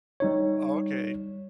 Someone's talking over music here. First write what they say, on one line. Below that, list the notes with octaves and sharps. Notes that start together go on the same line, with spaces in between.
Oh, okay.
G3 D#4 C#5